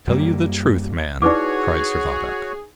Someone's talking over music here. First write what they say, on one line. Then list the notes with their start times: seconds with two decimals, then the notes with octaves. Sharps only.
"Tell you the truth, man!" cried Servadac.
0.07 F#2 G3 A#3
1.22 D#4 E4 F#4 G#4 B4 C#5 D5 D6